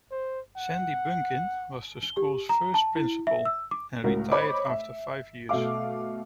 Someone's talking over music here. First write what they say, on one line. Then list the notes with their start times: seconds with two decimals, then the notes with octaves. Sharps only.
Sandy Bunkin was the school's first principal, and retired after five years.
0.11 C5
0.56 F#5
2.03 G7
2.17 G4
2.49 A#5
2.74 A5
2.96 E4
3.27 E5
3.46 E6
3.71 D6
4.04 C#2 A2 F#4 A#4
4.32 C5 C#5 D#5 B5 D6
4.69 E5
5.49 B2 A3 F5 D6